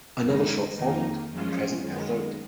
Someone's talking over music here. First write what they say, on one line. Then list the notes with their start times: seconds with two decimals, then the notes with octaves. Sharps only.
Another shot followed and presently a third.
0.21 F#2 D#3 G#3 D#4
0.75 F2 D#3 A#3 D#4
1.30 F#2 F3 G#3 C#4 F4
1.84 F#2 D#3 G#3 B3